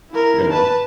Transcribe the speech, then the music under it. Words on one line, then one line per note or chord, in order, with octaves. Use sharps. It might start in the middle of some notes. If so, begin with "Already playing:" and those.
you know?
E4 A#4
B4 A5